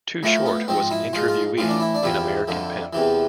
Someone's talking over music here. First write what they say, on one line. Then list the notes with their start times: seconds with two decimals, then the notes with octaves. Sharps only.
Too Short was an interviewee in American Pimp.
0.23 A2 F3 A3
0.46 B3
0.68 G#2 F3 C4
0.91 E4
1.13 G#2 F3 F4
1.28 F4
1.58 A2 E3 F4
1.69 D4
1.80 E4
1.95 D4
2.03 E2 C3 F3 E4
2.48 F2 D3 F3
2.93 E2 C3 E3